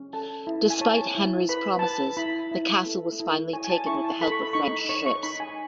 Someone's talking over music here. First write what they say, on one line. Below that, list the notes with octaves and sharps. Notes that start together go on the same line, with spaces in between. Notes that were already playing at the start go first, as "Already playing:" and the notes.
Despite Henry's promises, the castle was finally taken with the help of French ships.
Already playing: C#4
A4 A5
E4
G#5
C#5 A5
E4
B4 B5
A5
B4 B5
E4 B5
E4
A4
E4
C#5 G#5
G#5
A5
E4 C#6
A5
A4 B5
C#6
B5
D#4 C#6
B5
C#5 C#6
C#6
D#4 B5
G#5